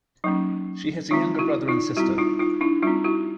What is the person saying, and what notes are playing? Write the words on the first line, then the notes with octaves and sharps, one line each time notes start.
She has a younger brother and sister.
F#3 A#3 C#4 D#4
D#3 G#3 C4 D#4 F4
E4 F#4
D#4 F4
G3 C4 E4 F#4
D#4 F4
D#4 F4
D4 E4
G3 C4 D#4 F4
E4 F#4